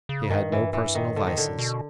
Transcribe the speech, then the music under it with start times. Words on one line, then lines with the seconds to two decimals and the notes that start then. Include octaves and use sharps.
He had no personal vices.
0.09 C#3
0.30 G2 D#3
0.52 E3
0.73 E3
0.95 D#3
1.16 G#2 D3
1.27 D#3
1.37 A2 D3
1.59 B2